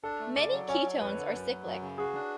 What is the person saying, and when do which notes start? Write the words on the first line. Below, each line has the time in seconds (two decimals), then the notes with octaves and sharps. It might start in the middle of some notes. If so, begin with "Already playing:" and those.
Many ketones are cyclic.
0.04 D4 A4
0.20 A3
0.36 C#3 D5
0.52 F#3
0.68 C#4 C#5
0.84 F#3
1.01 F2 B4
1.18 D3
1.33 F#2
1.49 F#3
1.65 F#2
1.82 C#3
1.98 F#4 G#4
2.15 D4